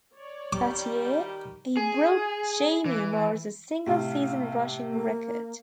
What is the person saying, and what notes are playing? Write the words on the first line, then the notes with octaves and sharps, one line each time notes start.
That year, he broke Jamie Morris's single-season rushing record.
C#5 D5
D#3 G3 G4 D6
G#4
E3
A2 C3 F5
A#3